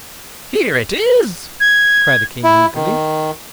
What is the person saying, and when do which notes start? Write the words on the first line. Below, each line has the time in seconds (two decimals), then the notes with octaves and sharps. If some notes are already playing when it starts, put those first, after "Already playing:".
"Here it is," cried the King eagerly.
1.60 G#6
2.44 E4
2.75 D#3